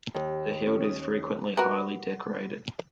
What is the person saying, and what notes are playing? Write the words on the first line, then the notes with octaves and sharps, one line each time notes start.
The hilt is frequently highly decorated.
D#2
C#4
D#6
F#4 A#4 B4